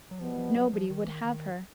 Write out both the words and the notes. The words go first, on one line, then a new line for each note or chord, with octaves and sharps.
Nobody would have her.
F#3
E2 B2 F3 G3 B3
F3
F#3
F3
D#3
E3
D#3
D#3